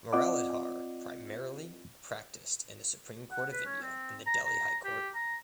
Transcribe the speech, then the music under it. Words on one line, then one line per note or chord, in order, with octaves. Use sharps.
Muralidhar primarily practiced in the Supreme Court of India and the Delhi High Court.
C4 F4 D5 D#5 F#5 D6
F#5
B4
C#4
C4
A#5
A#5
G4
A#5